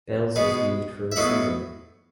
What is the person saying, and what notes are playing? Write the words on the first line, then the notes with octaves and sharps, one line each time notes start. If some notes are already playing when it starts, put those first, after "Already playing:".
Bell's is used for receiving.
B2 G#3 B3
E5
A2 F#3 B3 D#5 F#5